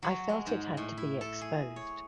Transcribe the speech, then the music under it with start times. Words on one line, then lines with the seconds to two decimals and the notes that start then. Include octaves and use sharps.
I felt it had to be exposed.
0.03 F#3
0.29 G#3
0.47 G#2
0.77 A2
0.97 E4
1.21 A4
1.41 G#4
1.76 C#5